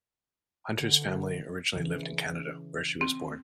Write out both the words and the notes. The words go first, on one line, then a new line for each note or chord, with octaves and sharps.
Hunter's family originally lived in Canada where she was born.
D3
C#3 E3
C4